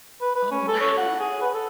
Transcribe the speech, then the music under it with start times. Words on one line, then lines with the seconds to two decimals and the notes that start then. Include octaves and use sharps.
Oh, wow.
0.21 B4
0.35 B4
0.51 C#4
0.68 A4
0.81 C#5
0.97 F#5
1.20 G#4
1.41 B4
1.54 A4